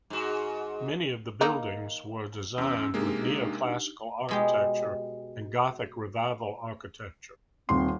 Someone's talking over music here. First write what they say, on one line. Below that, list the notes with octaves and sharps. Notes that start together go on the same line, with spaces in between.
Many of the buildings were designed with Neoclassical architecture and Gothic Revival architecture.
G#2 F#4
D#3 A#3 D#4
E2 C#4 C6 E6
C3 G#3 A#3 D4 D#4 G4
B2 G#3 G4
D#1 C4 C6